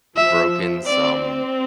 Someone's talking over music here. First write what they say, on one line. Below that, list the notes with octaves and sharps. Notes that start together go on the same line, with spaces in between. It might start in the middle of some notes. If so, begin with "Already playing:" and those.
broken some
F3 E5
C4 D5